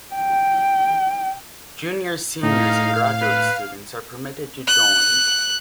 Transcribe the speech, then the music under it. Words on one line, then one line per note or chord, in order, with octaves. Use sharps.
Juniors, seniors, and graduate students are permitted to join.
G5
A2 D#4 F5
B4
F#6